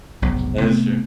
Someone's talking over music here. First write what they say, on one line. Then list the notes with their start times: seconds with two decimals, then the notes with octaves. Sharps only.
That is true.
0.22 F1 B1 G#2
0.61 C3 A3 B3